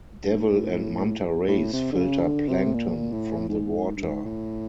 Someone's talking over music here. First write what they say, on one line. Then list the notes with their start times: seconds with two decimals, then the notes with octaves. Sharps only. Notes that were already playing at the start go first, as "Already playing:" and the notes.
Devil and manta rays filter plankton from the water.
0.23 G2
0.35 G#2
0.47 A2
1.48 A2
1.73 C3
1.93 D3
1.98 C#3
2.24 D3
2.48 C3
2.74 A#2
3.12 A2
3.49 G#2
3.87 G#2
3.97 G2
4.05 G#2
4.25 A2